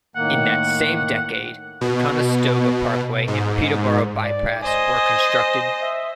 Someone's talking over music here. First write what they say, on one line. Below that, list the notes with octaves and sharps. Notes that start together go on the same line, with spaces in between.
In that same decade, the Conestoga Parkway and Peterborough Bypass were constructed.
A2 D#3 A#3 F#5
B2
G#2
D5
C5 D#5 G#5
E5